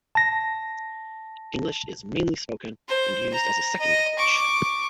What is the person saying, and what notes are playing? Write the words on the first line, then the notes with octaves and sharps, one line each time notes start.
English is mainly spoken and used as a second language.
A5 A#6
C5
A#5
D#5
C#6 D6